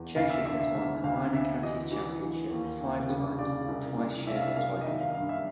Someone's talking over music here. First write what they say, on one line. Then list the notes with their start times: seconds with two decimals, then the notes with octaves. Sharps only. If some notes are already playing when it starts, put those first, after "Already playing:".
Cheshire has won the Minor Counties Championship five times, and twice shared the title.
Already playing: E2
0.16 D2 F5
0.30 E5
0.45 D3 E5
0.60 E5
0.74 D3 E5
1.04 D2 F5
1.33 D2 E5
1.62 E3 D#5
1.92 E3
2.21 E3
2.51 D#2
2.81 D#2
3.09 C#3
3.38 C#3 D5
3.68 C2
3.98 C2
4.27 C2 E5
4.35 F5
4.43 E5
4.56 C2 F5
4.81 D#5
4.85 D#3 E5
5.01 F5
5.15 G2 F5
5.29 E5